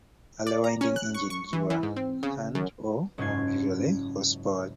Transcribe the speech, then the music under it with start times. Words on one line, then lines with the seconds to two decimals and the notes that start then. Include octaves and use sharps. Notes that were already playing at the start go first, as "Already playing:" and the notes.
Early winding engines were hand, or more usually horse powered.
0.47 D5
0.64 A#5
0.81 C#4
0.96 F#6
1.15 C#6
1.30 C#6
1.53 E3
1.70 E3
1.83 G#2
1.96 C4
2.23 C#3
2.55 F#2
3.18 F#1 G#2 C#4 F4 G#6 C7